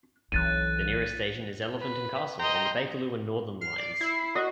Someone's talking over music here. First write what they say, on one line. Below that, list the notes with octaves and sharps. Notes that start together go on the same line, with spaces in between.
The nearest station is Elephant and Castle on the Bakerloo and Northern lines.
B1 E3 C4 F#6 A6 D#7
B4
D#5 G5 A#5 C6
F6 C7
D5
E4
F#4 D#5